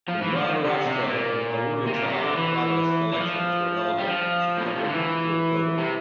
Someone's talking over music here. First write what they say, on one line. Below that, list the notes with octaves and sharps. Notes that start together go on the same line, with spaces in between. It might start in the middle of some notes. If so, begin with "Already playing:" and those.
In Maharashtra and Arunachal Pradesh elections were held September-October.
F3
E3
F3
C3
C3
A#2
C3
A#2
C3
D3
E3
E3
F3
G3
F3
A2
A#2
C3
D3
E3
C3